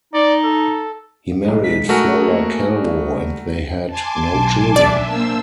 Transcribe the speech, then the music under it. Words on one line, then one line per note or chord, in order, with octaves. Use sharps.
He married Flora Calvo and they had no children.
D#4 D5
A4
B1 G#3
B6
A3 F#4 G#4 A#4
A#3
G3
G#5 A5 C6 D6
B1
D4 D5 E5
A#3 C5 E6